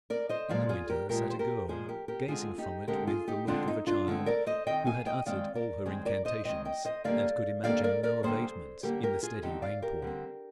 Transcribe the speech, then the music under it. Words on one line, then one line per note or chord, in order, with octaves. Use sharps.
In the window sat a girl, gazing from it with the look of a child who had uttered all her incantations, and could imagine no abatement in the steady rain-pour.
A#4 D5
C5 D#5
A#2 F3 G#3 D5 F5
F4 G#4
G4 A#4
A#2 F3 G#3 G4 A#4
C5
G4 A#4
A#2 F3 G#3 G#4 C5
G4 A#4
G4 A#4
D3 G#3 C4 F4 G#4
D#4 G4
D3 G#3 C4 G4 A#4
F4 G#4
D#4 G4
D3 G#3 C4 D4 F4
D#4
D4 F4
D3 G#3 C4
A#4 D5
C5 D#5
D#3 G#3 C4 D#5 G5
F5 G#5
D#5 G5
D#3 G#3 C4 D5 F5
A#4 D5
D#3 G#3 C4 G#4 C5
A#4 D5
C5 D#5
D#3 G#3 C4 C5 D#5
D#5 G5
C5 D#5
D3 G3 A#3 D5 F5
D3 G3 A#3 D5 F5
A#4 D5
A#4 D5
D3 G3 A#3 G#4 C5
D3 G3 A#3 G4 A#4
G4 A#4
F4 G#4
D3 G3 C4 D#4 G4
D5 F5
G4 A#4
D3 G3 C4